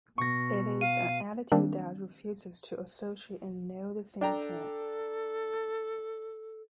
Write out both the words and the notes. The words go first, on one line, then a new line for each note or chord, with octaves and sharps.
It is an attitude that refuses to associate and know the same fans.
B2 C#6 A#6
F5 D#7
D#3 G3 A#3 C4 D4
D4 A4 G5 A#5